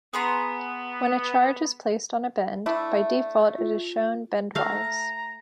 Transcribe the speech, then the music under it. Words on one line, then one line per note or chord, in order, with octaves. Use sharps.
When a charge is placed on a bend, by default it is shown bendwise.
B3 G#4 A#5 C6
A3 D4 E4
F4
A3 F5 A#5